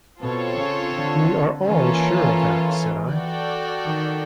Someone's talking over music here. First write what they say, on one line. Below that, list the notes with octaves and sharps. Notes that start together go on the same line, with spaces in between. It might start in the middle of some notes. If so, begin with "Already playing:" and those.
"We are all sure of that," said I.
B2 C4 F4 A4 C#5
C#3
D3
E3 A#3 C#4 F4 A4
F#4 A4 D5 G5
D#3